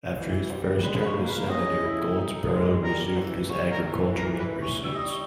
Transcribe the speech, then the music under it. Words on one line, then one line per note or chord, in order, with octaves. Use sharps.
After his first term as Senator, Goldsborough resumed his agricultural pursuits.
E3
G3
G#3 B4
B4
C#5
A#3
B4
C#4 D#5
E4
D#4
G#3
G3 A#4
E3
G3 C#5
A#4
E3
A#4
B4
C#5
G3 E5
D#5
C#5